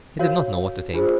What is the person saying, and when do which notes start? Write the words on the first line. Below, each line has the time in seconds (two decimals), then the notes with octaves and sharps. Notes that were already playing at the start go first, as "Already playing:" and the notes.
He did not know what to think.
0.19 F#4 A#4 C#5 F5
0.94 D4 F4 G#4 C5